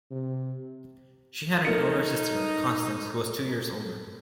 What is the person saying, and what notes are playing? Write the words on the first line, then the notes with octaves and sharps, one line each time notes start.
She had an elder sister, Constance, who was two years older.
C3
A3 D#4 A#4 C#7